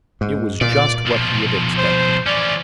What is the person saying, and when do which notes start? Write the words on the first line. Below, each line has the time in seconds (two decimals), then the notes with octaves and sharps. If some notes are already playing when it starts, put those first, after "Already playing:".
It was just what he had expected.
0.21 G#2
0.61 A#2 D5
1.06 B1 F3
1.78 C5
2.27 E3 C#4 D5